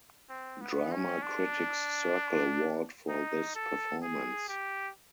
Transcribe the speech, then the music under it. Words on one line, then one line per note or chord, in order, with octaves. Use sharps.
Drama Critics Circle Award for this performance.
C4
B3
C#4
D4
D#4
A4
G#4
G4